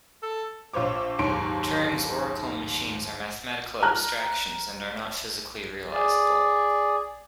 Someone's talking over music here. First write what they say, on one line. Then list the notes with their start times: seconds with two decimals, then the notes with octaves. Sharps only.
Turing's oracle machines are mathematical abstractions, and are not physically realizable.
0.23 A4
0.73 A#1 F4 C5 C#5 D6
1.19 F#1 D#2 G#2 C#5 C6 D7
3.82 A#5 F6 F#6
5.93 G#4 D5